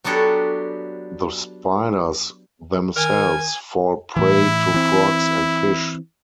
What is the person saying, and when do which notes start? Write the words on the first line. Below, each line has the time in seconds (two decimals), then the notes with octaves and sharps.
The spiders themselves fall prey to frogs and fish.
0.04 F#3 B3 D4 F#4 G4 A4
2.96 D#3 A#4 G#5
4.16 A2 E3 E4
4.74 E3 C4